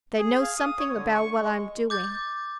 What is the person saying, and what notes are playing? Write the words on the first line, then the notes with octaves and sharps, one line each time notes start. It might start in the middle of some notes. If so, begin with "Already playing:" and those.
They know something about what I'm doing.
G#4
F5
D#6
C#5
D3
C#6
G#3
D6 G6 A6